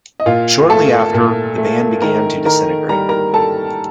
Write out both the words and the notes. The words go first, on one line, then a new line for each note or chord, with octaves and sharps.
Shortly after, the band began to disintegrate.
D#5
A#2 F4 F5
A3 A4 A5
A#2
A3
D#3 A#4 A#5
D#3 A#4 A#5
G3 A#5
A#4 A#5
G3 A4 A5